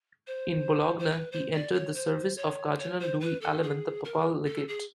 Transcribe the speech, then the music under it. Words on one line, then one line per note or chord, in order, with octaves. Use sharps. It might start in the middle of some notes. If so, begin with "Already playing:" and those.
In Bologna, he entered the service of Cardinal Louis Aleman, the papal legate.
C5
C5
B4
C5
D5
C#5
C5
C#5
C#5
C5
B4
A4
G#4
A#4
A4
G#4